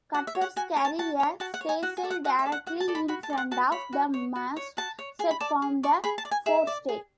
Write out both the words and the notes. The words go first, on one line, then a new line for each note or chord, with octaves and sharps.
Cutters carry a staysail directly in front of the mast, set from the forestay.
F#4 F#5
E5
C#5
F#5
F#4 G#5
C#5
A5
F#4 A5
C#5
F#4 A5
F#5
C#5
G#5
F#4 F#5
G#5
A4 D5
F#5
F#4 F#5
E5
A4 D5
F#5
F#4 F#5
A5
A4 D5
B5
F#4 B5
A5
A4 D5
F#5
F#4 A5
C#5 B5
F#4
C#5
F#4
C#5
F#4 A5
C#5
G#4 G#5
B5
D5 A5
G#4
D5 C#6
G#4 B5
A5
D5
G#5
G#4 E5
D5
G#4